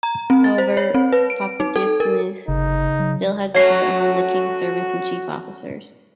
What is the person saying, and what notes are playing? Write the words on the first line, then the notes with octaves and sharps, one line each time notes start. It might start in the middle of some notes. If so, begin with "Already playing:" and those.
However, Papahdilmah still had support among the king's servants and chief officers.
A#5
C4
A6
C5
C#5
C4
B4
D7
D#4
A4
A#4
G1 C#3 D#4
F#3
F#3 A3 C#4 F#4 C#5 C7